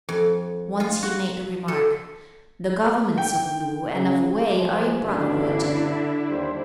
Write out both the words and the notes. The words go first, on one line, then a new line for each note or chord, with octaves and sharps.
Once he made the remark, "The governments of Lu and of Wei are in brotherhood."
F2
F4
F#4
A4
G5
C#3
F3 G#3
A1 G2 B2 D3 D4 E4
D#2 G3 C5